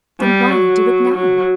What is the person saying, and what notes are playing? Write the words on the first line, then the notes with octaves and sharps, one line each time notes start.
"Then why do it now?"
G3
F#3
F#3